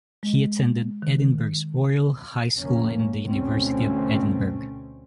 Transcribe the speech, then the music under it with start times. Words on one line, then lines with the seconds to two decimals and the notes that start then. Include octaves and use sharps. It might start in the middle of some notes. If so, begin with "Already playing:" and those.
He attended Edinburgh's Royal High School and the University of Edinburgh.
0.23 G#3
1.02 D#3
2.57 F1 D3 A#3 C#4
3.29 D2 B2 A3 C4 C#4